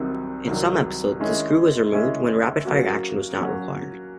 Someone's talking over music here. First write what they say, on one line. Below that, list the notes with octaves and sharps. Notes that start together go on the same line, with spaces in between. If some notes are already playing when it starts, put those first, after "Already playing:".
In some episodes, the screw was removed, when rapid-fire action was not required.
Already playing: C2 C3 D#3 F#3
C2 C3 D#3 F#3
D#3 G#3 C#4 E4
D#3 G#3 C#4 E4
F#3 A#3 C#4 F#4
F#3 A#3 C#4 F#4